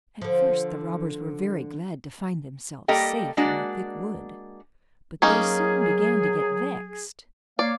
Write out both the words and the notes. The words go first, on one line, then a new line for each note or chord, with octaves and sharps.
At first the robbers were very glad to find themselves safe in the thick wood, but they soon began to get vexed.
D3 F3
G3 A#3 G4 A4 D#5 G5
G#3 A#3 D4 F#4 D5
F#3 A#3 C#4 D#4 G#4
A#3 C#5 D5 F5